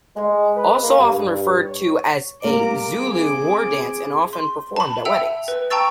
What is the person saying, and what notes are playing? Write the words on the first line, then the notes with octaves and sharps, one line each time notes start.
Also often referred to as a Zulu war dance and often performed at weddings.
G#3
B4
A#3
G2
C#5
G3 A#3 A#5 D6
C4 G#4
C6
A5 B5
E5 F#5 G5 E6 F7
B4
G5 A5 A#5 C#6 E6 A6